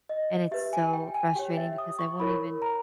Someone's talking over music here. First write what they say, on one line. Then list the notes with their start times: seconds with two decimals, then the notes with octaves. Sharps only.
and it's so frustrating because I won't even
0.09 D#5
0.51 G4 B4 E5
0.73 G#5
0.93 G5
1.15 G#5
1.35 G4 C#5 G5
1.57 E5
1.78 D#6
1.99 C#6
2.20 E4 A#4 C#5 B5
2.62 A#5